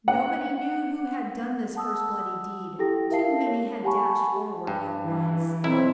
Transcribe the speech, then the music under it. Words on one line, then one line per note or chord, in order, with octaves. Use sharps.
Nobody knew who had done this first bloody deed; too many had dashed forward at once.
F#5
F#5 A5 D#6 E6
E4 G4 A4 G5 A#6
E4 A#4 E5 F5 A5 C7
C#5
G4 F#5 G#5 A5 B5 C#6
G2
E3
B1 C4 E4